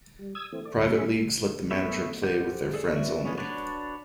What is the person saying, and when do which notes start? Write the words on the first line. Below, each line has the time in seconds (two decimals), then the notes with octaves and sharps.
Private leagues let the manager play with their friends only.
0.19 G3
0.35 D#6 E6 G#6
0.53 E3 A3 C4
0.65 A3 D5
0.77 D2 G2 E4
0.95 G#2 C#4 G#4 E5 B5 C#6
1.71 A3 B3 C#4 E5
2.23 G4 C5 F#5 G6
2.74 G#4 A4 D5
2.93 F#4 B4 D5 E5
3.25 F3 G#3 A#3 B3 C#4
3.38 D4 F#4 B4 C#5 D5